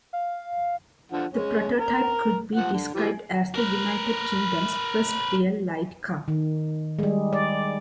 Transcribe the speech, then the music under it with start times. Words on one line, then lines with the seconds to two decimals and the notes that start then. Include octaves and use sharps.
The prototype could be described as the United Kingdom's first real light car.
0.13 F5
1.12 D3 F3 F#5
1.34 G#3 C#4
1.77 A#4
2.55 F3 F#5
2.73 D3
2.94 E3 F3 G3
3.55 A#4 B4
6.28 D#3
6.99 G3 G#3
7.33 D5